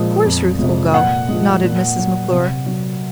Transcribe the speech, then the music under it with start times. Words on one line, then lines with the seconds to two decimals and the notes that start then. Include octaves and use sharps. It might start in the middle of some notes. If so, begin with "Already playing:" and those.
"Of course Ruth will go," nodded Mrs. McClure.
Already playing: A#2 F3 G#3
0.24 F2
0.59 C3 F3 G#3
0.94 A#2 F#5
1.29 F3 G#3
1.63 A#2
1.97 F#3
2.32 C3
2.66 F#3